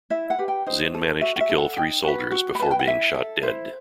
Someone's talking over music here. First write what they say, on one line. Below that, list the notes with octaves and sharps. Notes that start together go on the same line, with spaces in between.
Zin managed to kill three soldiers before being shot dead.
E4 E5
F#5
G4 B4
G5
D#4 C5
A4
F#4 E5
F#5
E5
A4
F#5
D#4 G5
F#4 B4
F#4
B5
B4 A5
G5
F#5
E4 E5
A4
E4 C5